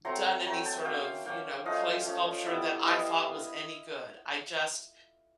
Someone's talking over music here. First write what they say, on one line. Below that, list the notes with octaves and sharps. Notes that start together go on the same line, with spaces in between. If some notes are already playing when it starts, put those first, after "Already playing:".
done any sort of, you know, clay sculpture that I thought was any good. I just
F#3 A3 C4 A#5 C6
G#5 A#5
F#3 A3 C4 G#5 A#5
G5 A5
F#3 A#3 C#4 F5 G5
F#3 A#3 C#4 F5 G5
F3 A3 C#4 D#5 F5
F3 A3 C#4
G3 B3 E4 D5 E5
G3 B3 E4 D#5 F5